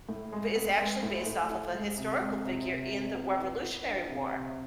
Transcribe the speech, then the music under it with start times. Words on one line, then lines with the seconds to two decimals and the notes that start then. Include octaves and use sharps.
is actually based off of a historical figure in the Revolutionary War.
0.09 A2
0.32 G#3
0.56 B3
0.80 G#3
1.03 A2
1.26 A2
1.50 E4
1.74 G#3
1.97 C3
2.20 G#3
2.45 C3
2.68 C3
2.91 C3
3.15 B3
3.39 E4
3.62 B3
3.85 D4
4.09 C3
4.32 C3